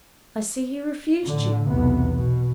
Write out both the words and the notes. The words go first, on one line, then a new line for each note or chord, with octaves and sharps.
"I see he refused you."
A2 D3
B1 E2 C3 B3
B2